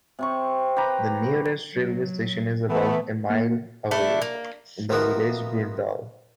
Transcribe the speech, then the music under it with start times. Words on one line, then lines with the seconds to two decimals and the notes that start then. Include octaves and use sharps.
The nearest railway station is about a mile away, in the village of Brundall.
0.19 C3 C4 C#6
0.77 G4 B4 A#5
1.74 F#3
2.69 E3 A3 B3
3.30 A#3
3.91 A3 D4 E4
4.22 A#3
4.90 C3 D#3 F3 A#3 B3 F#4